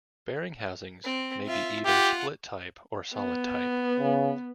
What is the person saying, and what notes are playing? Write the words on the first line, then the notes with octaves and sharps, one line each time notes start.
Bearing housings may be either split type or solid type.
C4
F4 E5
F4 G4 F#5
B3
C#3